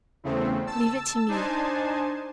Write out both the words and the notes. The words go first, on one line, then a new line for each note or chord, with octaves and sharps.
Leave it to me.
E2 C#3 A3 C4
A5 E6
D4 D#4 C5 G#5 A5